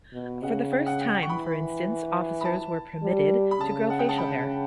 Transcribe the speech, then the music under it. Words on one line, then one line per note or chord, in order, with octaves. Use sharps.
For the first time, for instance, officers were permitted to grow facial hair.
B2
C#3 F#5
G5
F#5
G5
G5
C#6
E3 B5
B5
A5
G3
B5
C#3 A5
F#5
G5
A5
B5